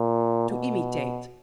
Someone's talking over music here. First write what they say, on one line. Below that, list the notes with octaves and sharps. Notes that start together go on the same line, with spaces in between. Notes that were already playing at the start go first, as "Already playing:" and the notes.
To imitate.
Already playing: A#2
B2